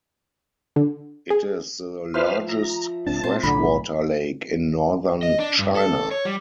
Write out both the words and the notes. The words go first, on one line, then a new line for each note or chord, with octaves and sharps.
It is the largest freshwater lake in northern China.
D3
G#4
F3 B4 C5 E5 F6
A#5
C#2 C4 D4 A5
A#2 C4 C5
B1 A2 D3 G#5 A#5 B5
D#5
D4
G2
A4
C#5
G3